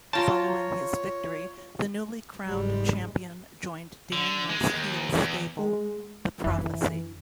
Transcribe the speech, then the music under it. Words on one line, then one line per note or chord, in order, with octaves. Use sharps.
Following his victory, the newly crowned champion joined Daniels' heel stable, The Prophecy.
F4 C5 C#5 F5 G5 A5 A#5
F#1 G#2 G3 G#3
D3
G#3
D#2
E2
G#3
F#2 D3 E3